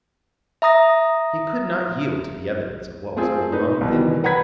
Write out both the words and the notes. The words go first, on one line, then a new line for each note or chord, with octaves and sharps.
He could not yield to the evidence of what was going on within him.
E5 A#5 D#6 A#6
A3 C4 F4 G#4
D#4 B4
C2 B2 D#3 E3
B4 F#5 A#5 B5 G#6 B6